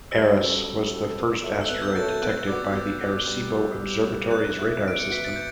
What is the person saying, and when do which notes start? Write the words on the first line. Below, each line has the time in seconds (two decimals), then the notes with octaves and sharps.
Eros was the first asteroid detected by the Arecibo Observatory's radar system.
0.11 G3 E6
0.38 C#4 F#4 A4
0.65 G3
0.90 C#4 F#4 A4
1.17 B3
1.43 F#4 A4 C#5 E5
1.61 E6
1.69 B3 F#6
1.82 G6
1.95 F#4 A4 C#5 E5 A6
2.09 G6
2.21 B3 F#6
2.47 F#4 B4 D5 D6
2.73 B3 D6
3.01 F#4 B4 D5
3.27 G3
3.53 B3 F#4
3.79 G3
4.05 B3 F#4
4.31 B3 F#6
4.58 F#4 B4 E5
4.84 B3 D7
5.00 C#7
5.10 F#4 B4 E5 B6
5.24 A6
5.36 G6